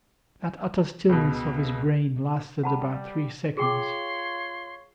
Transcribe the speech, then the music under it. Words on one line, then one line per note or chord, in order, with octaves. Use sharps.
That utter stillness of his brain lasted about three seconds.
C#2 B2
G3 F#5 A5 B5
F4 G#4 C#5 G5 C6 D6